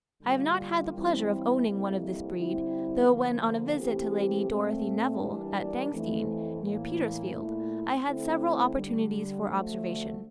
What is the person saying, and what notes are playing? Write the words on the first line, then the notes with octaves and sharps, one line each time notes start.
I have not had the pleasure of owning one of this breed, though when on a visit to Lady Dorothy Nevill, at Dangstein, near Petersfield, I had several opportunities for observation.
D3 G3 A#3 F4
G2 E3 G3 C4 E4
F2 C3 G3 A#3 E4
D3 G3 C4 E4 G4
D3 F3 A#3
E3 A3 C4 G4
A#2 A3 C4
E3 G3 A#3 D4
F2 E3 A3
A2 E3 A#3
A#2 A3 E4
D3 A3 C4 E4
D3 G3 D4
D2 D3 F3 A3